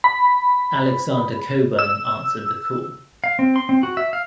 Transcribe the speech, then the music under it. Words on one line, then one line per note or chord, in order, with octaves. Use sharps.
Alexander Cockburn answered the call.
B5
E6
F5
C4
C6
C4
F#4
E5
F5